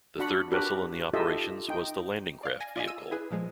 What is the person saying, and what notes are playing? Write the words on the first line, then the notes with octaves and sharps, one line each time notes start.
The third vessel in the operations was the Landing Craft Vehicle.
D4 F#4 F#5 B5
D4 F#4 G4 A#4 B4
D#4 F4 G4 A4 D#5 E5
D#4 G5
D5 F5
G#5 A#6
F4 D5 D#5 F5 G#5
E6 D#7
E4 G#4 B4
A#2 F3 G#3